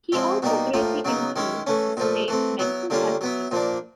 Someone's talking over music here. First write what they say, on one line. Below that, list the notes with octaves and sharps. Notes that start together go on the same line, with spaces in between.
He also greatly improved the state mental health system.
F3 G#3 C4 E4
B2 G3 A#3 D#4
A2 F3 A#3
C#3 F#3 B3 D#4
D#3 G#3 C#4 E4
E3 A3 C#4
A#2 F3 A3
E3 A3 C4
F#3 B3 E4
D3 G3 A#3 C#4 F4
F#3 B3 E4
A#2 F3 A#3 D4